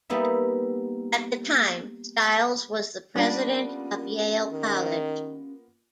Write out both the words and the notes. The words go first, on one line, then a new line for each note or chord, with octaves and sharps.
At the time, Stiles was the President of Yale College.
G3 A#3 B3 D#4 E5
G3 A#3 B3 C#4 D4 F4
D#3